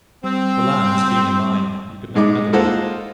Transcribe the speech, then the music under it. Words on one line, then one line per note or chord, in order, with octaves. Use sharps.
The lands, being a minor, he could not meddle with.
G3 C4
G#2 G#3 D#4 D6
G#3 A#3 F4 A4 C5 F#5